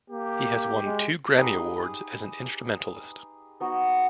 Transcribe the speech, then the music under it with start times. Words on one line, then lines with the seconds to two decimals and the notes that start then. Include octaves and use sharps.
He has won two Grammy Awards as an instrumentalist.
0.10 A#3 G4
0.85 G#3
1.38 D#4 G4 G#4 B4
3.60 B3 D#4 F#4